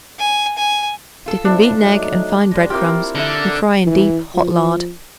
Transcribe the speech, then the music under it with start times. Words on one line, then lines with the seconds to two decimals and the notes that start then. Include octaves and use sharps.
Dip in beaten egg and fine bread-crumbs and fry in deep hot lard.
0.19 G#5
0.58 G#5
1.26 F4 A4
1.45 C4 D4 E4
1.78 F#3 A3 D#4
2.51 F2 G3 G#3
2.70 A#3 C4 E4 F4 G4
3.15 D3 A#4 E5
3.86 E3
4.35 F3